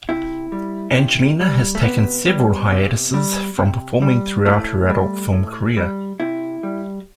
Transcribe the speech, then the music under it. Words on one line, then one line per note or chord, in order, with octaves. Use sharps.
Angelina has taken several hiatuses from performing throughout her adult film career.
C3 E4
G3
C3
G3
A3
C3 B3
G3
C3
G3
C3
G3
A2 A3
G3
A2
G3
C3 E4
G3